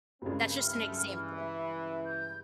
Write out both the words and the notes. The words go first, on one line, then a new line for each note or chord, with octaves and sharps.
That's just an example.
G2 C#3 G#3 A#3 C4
C#2 D#3 A3 F6
E3
E5
G6